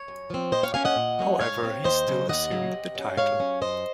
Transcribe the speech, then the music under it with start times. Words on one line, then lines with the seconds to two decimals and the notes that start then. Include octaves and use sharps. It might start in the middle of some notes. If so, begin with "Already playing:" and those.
However, he still assumed the title.
Already playing: C#5
0.08 F#2
0.30 F3 C4
0.52 A#2 C5 D#5
0.63 C#5 F5
0.74 F#3 A#3 C#4 F5 G#5
0.85 D#5 F#5
0.96 A#2
1.19 F#3 A#3 C#4
1.40 G#2 C#5 F5
1.63 F#3 C4
1.84 D#2 C5 D#5
2.08 C#3 F#3
2.29 D#2 D#5 F#5
2.51 C#3 F#3 A#3
2.73 C3
2.95 F#3 C#4
3.17 G#2 C#5 F5
3.39 F#3 C#4
3.61 F#2 C5 D#5